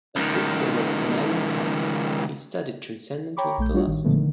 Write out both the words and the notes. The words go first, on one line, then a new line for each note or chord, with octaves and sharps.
A disciple of Immanuel Kant, he studied transcendental philosophy.
C#2 D#3
C#5 G5 A#5 B5 C#6 D6
A#1 A3 G6
G3 D4 F4 F#4 C#5
A1 D#3
A#2 D3 F3 G#3 A3 B3
D3 D#3